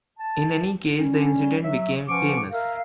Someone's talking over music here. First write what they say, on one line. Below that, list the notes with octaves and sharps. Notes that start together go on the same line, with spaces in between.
In any case the incident became famous.
A5
G3 C#4
F#3 E5
F3 C#4 B4 F#5 C#6 D6
A#4 E5 F5